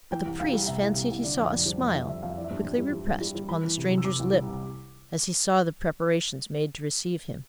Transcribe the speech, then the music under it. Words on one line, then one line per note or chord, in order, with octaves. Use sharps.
But the priest fancied he saw a smile, quickly repressed, upon the stranger's lip as he saw the preparations made to receive him.
E3 G5
C2
C2 F5
G3
C3 E5
C2
C3
C2
D3 D5
F2 D5
F2 D5
G3 C5
F2 D5
G3 E5
F2 E5
F2 F5
E5
E3 D5
E5
G2
G2
G3
G3
G2
G3
G3
E3 B5
E3
C3
C3
E6
C3 D6
C2
G3
C3